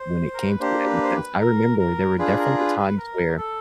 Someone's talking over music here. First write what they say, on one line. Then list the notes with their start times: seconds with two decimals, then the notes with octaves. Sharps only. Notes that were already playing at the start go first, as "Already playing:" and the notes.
when it came to that because I remember there were definitely times where
Already playing: C5
0.34 A#4
0.47 B4
0.60 A#3 D4 G4 C5
0.86 B4
1.03 C5
1.13 B4
1.39 A#4
1.79 A#4
2.18 D4 F4 G#4 B4
2.38 A#4
2.58 B4
2.78 B4
2.97 A#4
3.37 A4